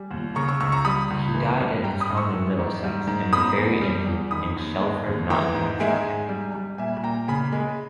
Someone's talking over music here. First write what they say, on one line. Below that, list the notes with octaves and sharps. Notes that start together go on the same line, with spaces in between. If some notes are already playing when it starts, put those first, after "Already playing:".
He died at his home in Middlesex, and was buried in Shelford, Nottinghamshire.
Already playing: G3 G#5
D#2
C#3 A#5 C#6
C#6 E6
C#2 C#6 E6
A#5 C#6
G3 B5 D#6
C#2
E3
G2
G3 G5 A#5
B5 D#6
G2
C#6 E6
E3
G#2
G3
G#2
B2 B5 D#6
E2
G3
E2
D#3 B5 D#6
D#2
G#3
D#2
E3 G5 A#5
G#2
G#3 E5 G#5
G#2
G3
G3
A#2 E5 G#5
A#2 G5 A#5
C#3 G#5 B5
G#3